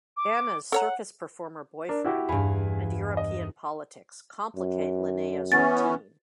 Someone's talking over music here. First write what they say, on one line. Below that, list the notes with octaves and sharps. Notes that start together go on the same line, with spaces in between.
Anna's circus-performer boyfriend and European politics complicate Linnea's routine.
D6
A4 C#5 F#5 A#5
D4 A#4
E4 F#4 G4
E2 G2 F5 G#5 B5
D#5
F#2
E3 B3 C#4 A6